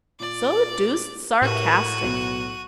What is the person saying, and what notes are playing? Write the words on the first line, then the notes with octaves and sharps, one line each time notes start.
'So deuced sarcastic!
A#2 D5
A2 F#4 G4 A#4 B4 D#7
B1 F#3 B3